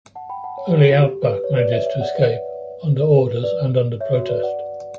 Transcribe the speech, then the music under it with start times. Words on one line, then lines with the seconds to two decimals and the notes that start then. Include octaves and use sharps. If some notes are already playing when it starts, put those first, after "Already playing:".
Only Outback manages to escape, under orders and under protest.
0.15 F#5 A5
0.30 G5 B5
0.44 F#5 A5
0.58 C#5
0.68 G4
0.80 A4
0.90 F#4
1.01 G4
1.22 B4
1.44 C#5
1.58 B4 D5
1.72 C#5 E5
1.86 C#5 E5
2.01 D5 F#5
2.15 B4
3.15 B4
3.43 B4 D5
4.01 C#5 E5
4.15 F#4
4.29 B4 D5
4.43 D5 F#5